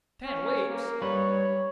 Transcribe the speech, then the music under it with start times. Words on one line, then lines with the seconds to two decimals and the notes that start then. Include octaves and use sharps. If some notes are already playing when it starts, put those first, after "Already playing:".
"Ten weeks!"
0.25 C#4
0.69 A#3
1.02 G3 B4 C#5